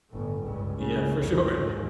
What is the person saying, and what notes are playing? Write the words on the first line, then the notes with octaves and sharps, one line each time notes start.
Yeah, for sure.
G1 A2
C#2 G2
C#3
C2 F2
D#2 G#2